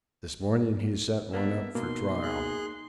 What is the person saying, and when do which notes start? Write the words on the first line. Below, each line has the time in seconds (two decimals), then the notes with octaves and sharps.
This morning he sent one up for trial.
1.33 A#3 B3 D4 E5
1.75 B2 A#3 D#4 C6
2.23 G#4 F#6